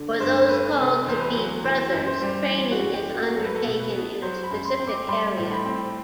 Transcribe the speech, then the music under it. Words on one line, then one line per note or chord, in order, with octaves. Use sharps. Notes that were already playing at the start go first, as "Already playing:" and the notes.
For those called to be brothers, training is undertaken in a specific area.
Already playing: D3
G2 C5
C5
A3 B4
C3 B4
E2 C5
B4
F#3
E3 C5
F#2
C5
G3
E3
F#4
F#2
G4
A3
F#4
F#3 A4
B4
A4
B2
B4
B3
F#3 C5
B5
F#2
C6
C4
D6
G3 C6
A2
B5
C4